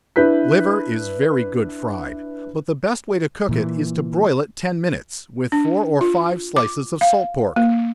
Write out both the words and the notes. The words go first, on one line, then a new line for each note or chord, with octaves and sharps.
Liver is very good fried, but the best way to cook it, is to broil it ten minutes, with four or five slices of salt pork.
D4 E4 B4 G6 B6
A#2 E3
D4
F4
D6
F5
A#3